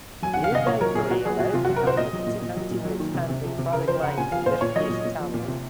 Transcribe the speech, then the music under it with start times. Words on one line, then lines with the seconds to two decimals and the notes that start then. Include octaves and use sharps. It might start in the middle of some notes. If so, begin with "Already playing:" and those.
The new bakery allowed the company to continue expanding product lines and distribution channels.
0.22 F#3 G#5
0.34 F#5
0.37 D#3
0.44 F5
0.52 C3 D#5
0.67 A#2 C#5
0.81 F#3 A#4
0.95 A#2 G#4
1.10 A#2 F#4
1.25 F#3 G#4
1.39 A#2 F#4
1.53 C3 F4
1.65 F#4
1.69 F#3
1.76 A#4
1.83 C3 C5
1.97 A#2 D#5
2.13 F#3
2.26 A#2
2.42 A#2
2.57 F#3
2.71 A#2
2.85 F#3
3.00 D#3
3.14 C3
3.30 C3
3.44 F3
3.58 C3
3.73 C#3 A#4
3.88 F3 C5
4.03 C#3 F#5
4.18 A#2 G#5
4.32 F3 F5
4.46 A#2 C5
4.61 A#2 C#5
4.76 F#3 D#5
4.90 A#2
5.05 A#2
5.20 F3
5.34 A#2
5.48 C3